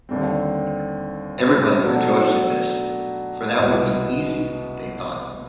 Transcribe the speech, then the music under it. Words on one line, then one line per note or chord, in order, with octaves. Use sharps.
Everybody rejoiced at this, for that would be easy, they thought.
D#2 D3 G3 C4
B2 F#3 A3 D4 F#4
C2 B2 G#3 B3 E4